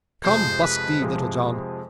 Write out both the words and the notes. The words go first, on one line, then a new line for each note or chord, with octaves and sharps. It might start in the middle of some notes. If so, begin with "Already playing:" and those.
Come, busk thee, Little John!
F2 C3 F3 G#3 C5
B4
F2 C3 F3 G#3